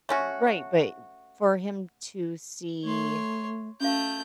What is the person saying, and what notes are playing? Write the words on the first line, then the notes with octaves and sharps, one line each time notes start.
Yeah, e right, but for him to see,
A3 C#4 F#4
A3 C#5 C6
A3 C#4 F#4 F5 G6